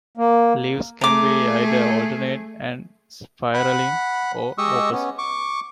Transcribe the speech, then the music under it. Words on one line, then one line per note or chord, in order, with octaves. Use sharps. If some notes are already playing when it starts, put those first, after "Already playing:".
Leaves can be either alternate and spiraling, or opposite.
A#3
A3 G#4 A#5 D6
F#5 B5
G#3 G4 D#5 C#6 D#6 E6
B3 C#4
C#6 D6